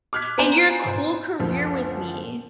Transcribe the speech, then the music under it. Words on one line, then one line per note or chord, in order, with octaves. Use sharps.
and your cool career with me.
D6 F6 F#6 G#6 B6
B3 C4 C5 G#5 A#5
F#1 D2 F3